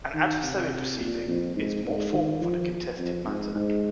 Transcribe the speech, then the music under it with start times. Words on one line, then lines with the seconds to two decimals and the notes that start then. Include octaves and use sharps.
An adversary proceeding is more formal than a contested matter.
0.14 D#3
0.43 C3
0.99 A#2
1.28 F2
1.56 G#2
1.85 G#2
2.13 D#3
2.41 F3
2.98 F2
3.26 G#2
3.55 G#2